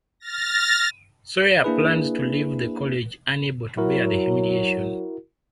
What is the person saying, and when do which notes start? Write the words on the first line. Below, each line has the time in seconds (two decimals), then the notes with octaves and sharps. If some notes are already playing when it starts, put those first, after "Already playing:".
Soorya plans to leave the college unable to bear the humiliation.
0.20 F6 A6 A#6
1.64 A#3 D4 E4 G#4 B4
3.77 F#3 E4 F#4 A#4